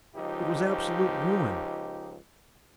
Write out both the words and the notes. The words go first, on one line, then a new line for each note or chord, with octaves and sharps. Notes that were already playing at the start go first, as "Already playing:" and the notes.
It was absolute ruin.
C#2 F3 D#4 G4